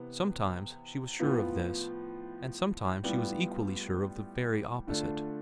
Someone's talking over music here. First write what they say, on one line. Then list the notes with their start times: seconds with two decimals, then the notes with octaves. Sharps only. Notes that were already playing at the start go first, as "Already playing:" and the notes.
Sometimes she was sure of this, and sometimes she was equally sure of the very opposite.
Already playing: C3 E3 B3
1.20 A2 F3 B3 F4
3.03 A2 G3 B3 F4
4.87 D3 A3 D4 F4